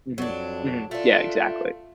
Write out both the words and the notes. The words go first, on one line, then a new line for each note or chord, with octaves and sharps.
Mhm. Mhm. Yeah, exactly.
F2 F#3 D4
A3 D4 F4